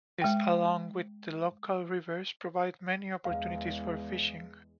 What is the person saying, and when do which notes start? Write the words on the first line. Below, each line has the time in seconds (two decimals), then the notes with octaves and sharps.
This along with the local rivers provide many opportunities for fishing.
0.22 G#3 G5
3.25 E2 G#3 F5